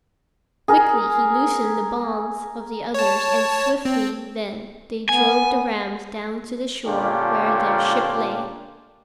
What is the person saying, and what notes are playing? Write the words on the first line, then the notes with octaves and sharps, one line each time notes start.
Quickly he loosened the bonds of the others, and swiftly then they drove the rams down to the shore where their ship lay.
G#4 A#4
C#5 A5
C4
B3 G#5
A#2 D3 C#4 D4 F4 G4